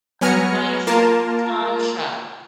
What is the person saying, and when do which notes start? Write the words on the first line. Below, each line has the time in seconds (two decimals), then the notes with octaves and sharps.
a nice, calm, show.
0.21 F#3 B3 G#5 F6 A#6 C#7
0.87 A#3 F4 A#4 A5